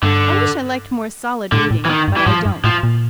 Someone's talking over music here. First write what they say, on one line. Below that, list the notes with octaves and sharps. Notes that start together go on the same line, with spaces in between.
I wish I liked more solid reading; but I don't.
G2 D3
A2 D3
A2
E3
D#3
G2
E3
G#2 F3
G2
A2 F3
A#2